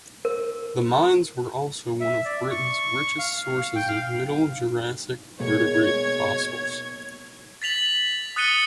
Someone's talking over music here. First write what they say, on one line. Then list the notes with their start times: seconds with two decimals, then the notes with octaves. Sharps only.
The mines were also one of Britain's richest sources of Middle Jurassic vertebrate fossils.
0.25 A#4
2.01 E5
2.25 D5
2.51 C#6
3.19 F5
3.76 G5
3.88 F5
5.40 B2 G#3 A#3 C#5 G#6
5.87 G#3
7.62 A6 B6 F7 F#7
8.36 D#6 F#6 A6 C#7 D#7 G7